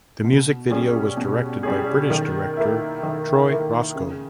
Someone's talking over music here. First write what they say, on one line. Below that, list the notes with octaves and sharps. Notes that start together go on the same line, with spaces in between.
The music video was directed by British director Troy Roscoe.
B2
G3 C#4 G#4
B2
G3 C#4 G#4
D#3
A#3 E4
D#3
A#3 E4
C#3